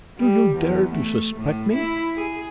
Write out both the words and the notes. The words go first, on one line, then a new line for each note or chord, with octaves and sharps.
"Do you dare to suspect me?"
G3
E2
A3
A2
E4
G#4